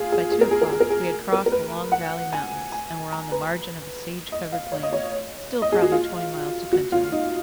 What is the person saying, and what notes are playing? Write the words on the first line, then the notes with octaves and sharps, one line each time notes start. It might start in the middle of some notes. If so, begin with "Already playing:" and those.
By two o'clock we had crossed the Long Valley Mountains and were on the margin of a sage-covered plain, still probably twenty miles to Pinto.
Already playing: F4 G#4
G#4
G#4
A#4
G#4
A#4
G#4
A#4
G#4
A#4
A#4
B4
F#5
G#5
G#5
A#5
B4
D#5
F5
C#5
D#5
C#5
D#5
G#4
F#4
F4
F#4
F4
D#4